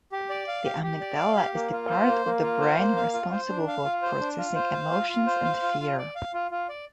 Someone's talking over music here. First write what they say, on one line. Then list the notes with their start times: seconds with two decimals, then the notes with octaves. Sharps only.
The amygdala is the part of the brain responsible for processing emotions and fear.
0.12 G4
0.30 D5
0.48 F5
0.65 G4
0.83 G4
1.01 D5
1.18 F5
1.36 G4
1.54 A#3
1.72 F4
1.90 C5
2.07 A#3
2.25 A#3
2.43 F4
2.60 C5
2.78 A#3
2.96 F5
3.14 F4
3.32 C5
3.49 D4
3.68 F5
3.85 F4
4.02 C5
4.20 D4
4.38 F4
4.56 C5
4.74 F5
4.91 F4
5.09 F4
5.27 C5
5.44 F5
5.62 F4
5.80 F4
5.98 D5
6.15 F5
6.34 F4
6.51 F4
6.69 D5